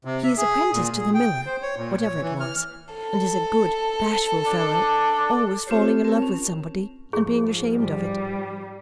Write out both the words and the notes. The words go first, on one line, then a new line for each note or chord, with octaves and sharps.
He is apprenticed to the miller, whatever it was, and is a good bashful fellow, always falling in love with somebody and being ashamed of it.
C3
E5
G#4
A#2
G#4
G5
C5
C#5
A#2
C#5
E3
F6
A4
D4
C4 F4 G4 C5 C#5
C4 A#4 A5
C#4
G#2 F3 G#4
G3